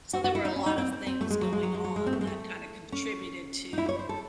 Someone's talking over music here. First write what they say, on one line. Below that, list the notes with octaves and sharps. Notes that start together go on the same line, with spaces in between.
So, there were a lot of things going on that kinda contributed to
F#4
F#4
E4
D#4
C#4
D#4
C4
C4
C4
A3
G#3
F#3
G#3
F#3
G#3
F#3
G#3
C4
A3
G#3
A3
C#4
D#4
E4
C#5
C5
A4